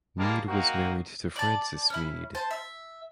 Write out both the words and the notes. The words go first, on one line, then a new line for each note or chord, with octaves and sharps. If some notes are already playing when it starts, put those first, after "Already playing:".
Meade was married to Frances Meade.
G3 G#3 A#3 A#4 A5
A#3 C4 D#4 F#4
D5 A5
C#4 E4
C5 A5
E5